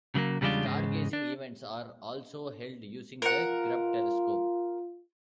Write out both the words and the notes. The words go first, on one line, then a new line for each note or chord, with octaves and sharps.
Stargazing events are also held using the Grubb telescope.
C#3 F#3 A3 A#3
E2 C#3 G3 G#3 D4 F4
E2 G#2 C#3 G#3
D4
F4 A#4 F#5